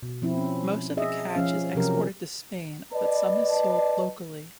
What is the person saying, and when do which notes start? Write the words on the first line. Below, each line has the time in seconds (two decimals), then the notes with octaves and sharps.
Most of the catch is exported to Spain, but some is sold locally.
0.03 B2
0.22 F3 C4 E4
0.38 C#4
0.97 G#4 D#5 E5
1.35 F3 C#4 F5
1.75 C3 F3 F#3 C#4 G4 A#4
2.93 B4 D5 D#5 A5